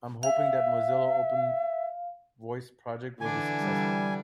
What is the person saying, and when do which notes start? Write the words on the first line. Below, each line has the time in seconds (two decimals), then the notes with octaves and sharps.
I'm hoping that Mozilla's Open Voice project will be successful.
0.23 E5 F5
3.21 D3 E3 D4 G#5
3.57 G3